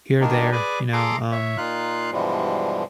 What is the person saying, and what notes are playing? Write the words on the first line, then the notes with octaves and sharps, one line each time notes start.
here or there, you know, um,
D#3 G3 A#3 D4 D#4 A#4
G#4 B4 D5 G#5
G#4 A4 A#5 C6 D6
C#5 E5
A#2 D#4 F4 F5 F#6
G2 B2 E3 F3 G3 G#3